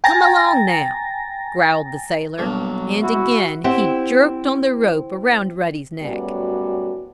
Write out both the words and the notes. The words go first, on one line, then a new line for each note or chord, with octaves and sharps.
"Come along now!" growled the sailor, and again he jerked on the rope around Ruddy's neck.
G5 G#5 A#5 A6 A#6
B1 G2 F#3 A#3
E4 F#4
C4 E4 G4 F#5
F#2 A2 G3 B3 F#4 D5